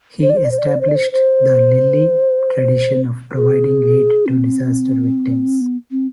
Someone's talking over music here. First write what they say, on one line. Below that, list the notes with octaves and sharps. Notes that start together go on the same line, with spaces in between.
He established the Lilly tradition of providing aid to disaster victims.
C5
D5
C5
D5
C5
D5
C5
D5
C5
D5
C5
C5
G#4
C4
B3
C4